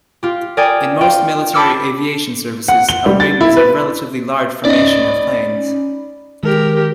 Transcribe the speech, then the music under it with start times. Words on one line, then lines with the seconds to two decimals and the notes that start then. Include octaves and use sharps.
In most military aviation services, a wing is a relatively large formation of planes.
0.23 F4 G4
0.57 A#4 D5 G5 G#5 D#6
1.01 F4 G5
1.53 A5 B5 D6 E6 F6 C#7
2.68 F#5
2.89 G7
3.06 G3
3.20 A6
3.41 E4
3.57 B4
4.65 C#4 D#4 D5 D#5 B5
6.43 D#3 G#3 G4 A#4